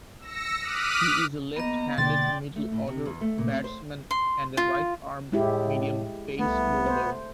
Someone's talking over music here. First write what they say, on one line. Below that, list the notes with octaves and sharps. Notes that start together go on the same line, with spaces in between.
He is a left-handed middle-order batsman and a right-arm medium pace bowler.
E6 A#6 C#7
D6 D#6 F6 F#6 B6 D#7
A#3 B3 D#5 A#5
B2 D3 A#3 D5 G5 C6 A6
A3
A2
C3
E2
A3
A#2
C4
C5
C6
F4
A2 G#3 E4 G4
C2 A3 B3
C5